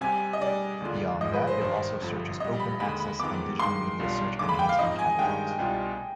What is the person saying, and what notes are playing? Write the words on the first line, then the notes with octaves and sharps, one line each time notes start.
Beyond that it also searches open access and digital media search engines and catalogs.
C3 G3 C4 G4 G#5
D#5
C3 G3 D4 G4 D5
D#2 D3 G#3 D4 F4
G#1 G#2 F3 G#3 D#5
B4
C5
G#1 G2 D#3 G3 D4 C5
G1 F2 D3 F3
F2 C3 G3 D#5
B5
D#2 D3 G#3 B5
B5
F2 D#3 G#3 B3 D6
G2 D#3 G#3 C6
B1 B2 G3 D4 F4
D#2 D3 G#3 D6
B5
G5
F5
G#2 F3 C4 D#4 D#5
G#5
G2 D#3 G#3 D4 G4 G5
C2 B2 G3 D4 F4